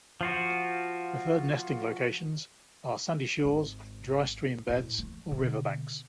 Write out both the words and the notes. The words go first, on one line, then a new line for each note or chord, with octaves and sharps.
Preferred nesting locations are sandy shores, dry stream beds, or riverbanks.
F3 F4 F#4
G#1
A2
E3 A3
B2 D3